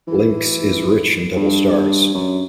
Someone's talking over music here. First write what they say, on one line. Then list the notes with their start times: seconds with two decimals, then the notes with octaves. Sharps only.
Lynx is rich in double stars.
0.08 E3
1.36 G2
2.14 F#2